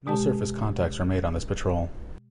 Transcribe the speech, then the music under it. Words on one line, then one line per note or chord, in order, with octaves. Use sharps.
No surface contacts were made on this patrol.
B2 G#3 G4 A5